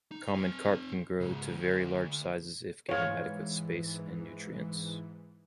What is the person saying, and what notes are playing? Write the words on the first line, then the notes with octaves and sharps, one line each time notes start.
Common carp can grow to very large sizes if given adequate space and nutrients.
D#4
C4 G#5
C#2 G#2
D2
G#2 E3 C#5 F5